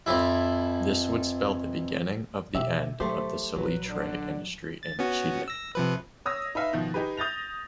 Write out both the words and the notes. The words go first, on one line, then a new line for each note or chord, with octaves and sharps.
This would spell the beginning of the end of the salitre industry in Chile.
F2 E3 E4
B2 G4 E5
F#3 A3 G4 C5
A#1 F#3 B4
B2 D3 D4
A6
B3 C#4 F#4
E6 A#6
C3 F3 B4
C#5 D#6 E6 A#6
D#4 B4 E5 F5
B2 D#3 F3
D#4 G4 G#4 B4
D#6 G6 A6 A#6 F7